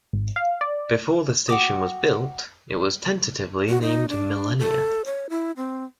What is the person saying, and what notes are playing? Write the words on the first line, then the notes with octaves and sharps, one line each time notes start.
Before the station was built, it was tentatively named Millenia.
G#1
F5
D5
F#4 G5 D6 D#6
F#4
D#4
D4
A4
C#5
E4
C4